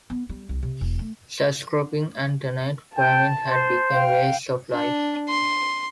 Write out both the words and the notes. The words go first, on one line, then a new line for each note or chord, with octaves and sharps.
Sharecropping and tenant farming had become ways of life.
B3
G3
C2
C3
E1
A3
G5 A5
C5
F5 G5
D4
C6